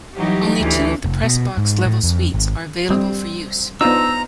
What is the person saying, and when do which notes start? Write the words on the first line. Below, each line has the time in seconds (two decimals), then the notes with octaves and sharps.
Only two of the Press Box level suites are available for use.
0.17 E3 F#3 G3 D#4 G4
0.61 D2 E3
1.05 F1
1.23 B2
1.57 G#2
1.86 A2
2.03 F2
2.34 G#1
2.90 G3 C4
3.81 B3 D4 D#4 F4 C5 A#5 E6